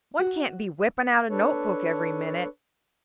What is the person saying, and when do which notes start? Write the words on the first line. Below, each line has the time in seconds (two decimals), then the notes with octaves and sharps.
One can't be whipping out a note-book every minute.
0.19 F#4
1.30 D4 A4 B4 C#5